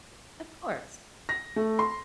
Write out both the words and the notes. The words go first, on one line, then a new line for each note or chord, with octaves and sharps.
Of course.
A#6
A3
C6